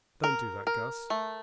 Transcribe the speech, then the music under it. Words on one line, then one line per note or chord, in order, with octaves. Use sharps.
"Don't do that, Guss?"
A#4
A#4
A3